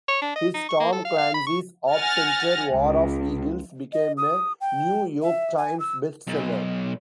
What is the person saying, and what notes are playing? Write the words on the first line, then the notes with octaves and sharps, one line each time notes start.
His "Tom Clancy's Op-Center: War of Eagles" became a "New York Times" Best Seller.
C#5
D4
D#5
D#4
C#6
A#3
A4
F5
F5
B5
C#6
F#5 G#5 F6 A6 A#6
C#2
D#5
D#6
G5
E5
G#5
E6
B1